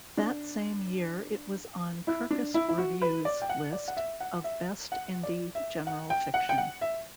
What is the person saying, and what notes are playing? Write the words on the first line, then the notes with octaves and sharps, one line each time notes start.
That same year it was on Kirkus Review's list of "Best Indie General Fiction".
D4
E4
D4
E4
E4
F#4
B4
D5
G5
F#5
D5
F#5
E5
F#5
E5
F#5
D5
E5
F#5
G5
F#5
G5
F#5
E5